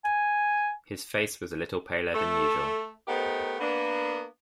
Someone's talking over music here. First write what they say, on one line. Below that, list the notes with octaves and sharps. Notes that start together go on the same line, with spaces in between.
His face was a little paler than usual.
G#5
A3 A4
A3 B3 D#4 G4 A#4 C5
A#3 B3 D4